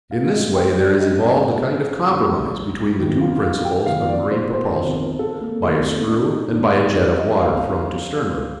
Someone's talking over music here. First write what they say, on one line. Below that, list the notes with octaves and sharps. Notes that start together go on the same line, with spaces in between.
In this way there is evolved a kind of compromise between the two principles of marine propulsion, by a screw and by a jet of water thrown to sternward.
F5
A1 G2 D3 D#5
G5
D5
D#5
A1 G2 D3 F5
A1 G2 D3
G1 F2 C3 D#3
F5
F5
G5
G1 F2 C3 D#3 F5
D5
C5
C5
G1 F2 C3 D#3 C5
A#4
A4
A#3
G1 F2 C3 D#3 A3
A#3
D4
D#4
G1 F2 D3 D4
D#4
D5
D#5
G1 F2 D3 F5